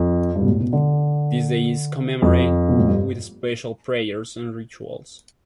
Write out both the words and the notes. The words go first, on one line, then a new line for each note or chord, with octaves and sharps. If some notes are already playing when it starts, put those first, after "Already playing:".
This day is commemorated with special prayers and rituals.
Already playing: F2
G2
B2
A2
B2
D3
F2
B2
A2
G2